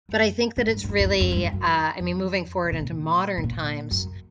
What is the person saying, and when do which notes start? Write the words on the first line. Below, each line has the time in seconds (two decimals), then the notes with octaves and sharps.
but I think that it's really, uh, I mean, moving forward into modern times
0.09 F#2
0.57 G#2
0.73 G2
0.84 F#2
0.89 F2
1.00 F2
1.05 E2
1.20 F2
1.32 G2
1.36 F#2
1.45 F2
1.53 F#2
2.00 F2
2.64 C3
2.72 B2
2.80 A#2
3.38 B2
3.44 A#2
3.91 F#2